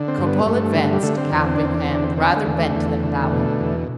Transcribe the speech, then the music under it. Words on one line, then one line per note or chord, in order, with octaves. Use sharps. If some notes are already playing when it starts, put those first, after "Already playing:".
Cropole advanced, cap in hand, rather bent than bowing.
Already playing: D3
C4
G2
B3
G2 A3
D3
G3
D3 A3
C4
E2
C4
D4
E2 C4
D4
C4
D3
D4
C4
D3 C4
A3
E2
A3
E2
D3
B2
E2